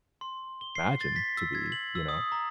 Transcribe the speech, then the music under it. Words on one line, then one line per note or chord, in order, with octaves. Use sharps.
imagine to be, you know?
C6
G7
C7
A6
B6
E6
G#6
F#7
E6
D#6
A#5